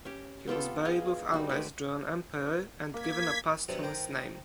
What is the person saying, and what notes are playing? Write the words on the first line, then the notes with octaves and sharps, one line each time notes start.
He was buried with honours due an emperor and given a posthumous name.
C#4 G4
B3 F4 G4 A4
F4 G#4 D#5 F5
G3 D#4 F#4
G#3 A3 B4 D5
A#3 G#6 B6
C3 F#3 G3 B3 C4 D4
D#3 A#4 C5 G5